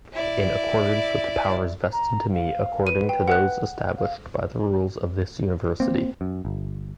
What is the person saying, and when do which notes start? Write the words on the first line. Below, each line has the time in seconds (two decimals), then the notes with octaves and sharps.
In accordance with the powers vested to me according to those established by the rules of this university.
0.13 E4 D5
1.92 A#5
2.33 F5
2.87 B4 D#7
3.09 G5
3.28 F#5 F#6
3.98 F5
5.80 A#3 C4
6.21 F#2
6.45 G1